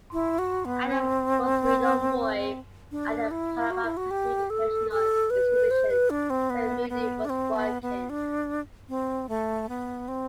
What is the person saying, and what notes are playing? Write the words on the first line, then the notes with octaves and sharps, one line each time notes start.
Adams was a young boy at the Panama-Pacific International Exhibition, where Mooney was working.
E4
F#4
B3
C4
D4
E4
F#4
E4
F#4
G4
A4
A4
B4
C5
B4
D4
C4
B3
B3
D4
C4
B3
B3
D4
C4
A3
B3
C4